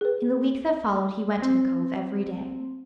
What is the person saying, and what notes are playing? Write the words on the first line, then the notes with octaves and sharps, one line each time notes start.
In the week that followed he went to the Cove every day.
G#4 B4
C4